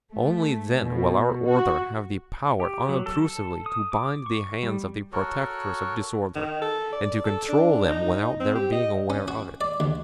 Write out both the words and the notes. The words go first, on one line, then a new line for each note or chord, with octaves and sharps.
Only then will our order have the power unobtrusively to bind the hands of the protectors of disorder and to control them without their being aware of it.
A3
B2
F#4
G4
F#3
A4
A4
D#6
D6
C#6
G3
F#4 A4 A#4 C#5
D#3
A4
D5
A4
D4
D#4
C4
G4
D#5
C#4
F#4
D5
D2